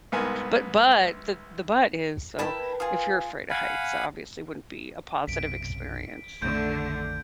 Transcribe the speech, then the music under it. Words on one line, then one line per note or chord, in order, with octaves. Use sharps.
But but the the but is so, if you're afraid of heights, that obviously wouldn't be a positive experience.
C2 G#2 B3 A#4 G#5
E4 A#4 B4 G5 A5 B5
F4 G#4
F5 F#5 G#5 B5
B1 F#2 C3 B6 D7
A#1 F2 D3 D#3 A3 G6 D7